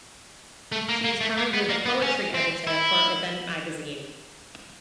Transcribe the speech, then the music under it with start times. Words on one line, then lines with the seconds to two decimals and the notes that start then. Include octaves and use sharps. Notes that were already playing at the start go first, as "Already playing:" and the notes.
She is currently the Poetry Editor for Event Magazine.
0.72 A3
0.89 A#3
1.04 A#3
1.21 A3
1.38 A#3
1.54 B3
1.69 A#3
1.86 B3
2.02 C#4
2.34 C4
2.67 E4